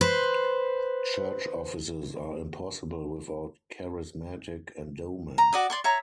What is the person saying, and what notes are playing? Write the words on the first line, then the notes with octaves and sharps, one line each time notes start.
Church offices are impossible without charismatic endowment.
B4 C5
A#5
F#4 D5 D#6
D5 C6 C#6
C#5 E5 A#5